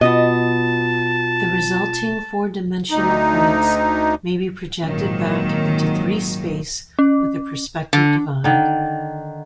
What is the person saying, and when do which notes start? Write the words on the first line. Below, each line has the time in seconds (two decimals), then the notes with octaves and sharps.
The resulting four-dimensional points may be projected back into three-space with a perspective divide.
0.01 B2 B3 F4 D#5 A5
2.91 D2 D#4
4.84 G#1 A#2 D#3 F#3
6.99 C#4
7.93 D3
8.44 D3 D#3